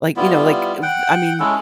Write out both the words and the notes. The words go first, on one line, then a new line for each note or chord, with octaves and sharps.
Like, you know, like, eh, I mean,
G3 B3 E4 F4
F#5 G5
G#3 C#4 E4 A4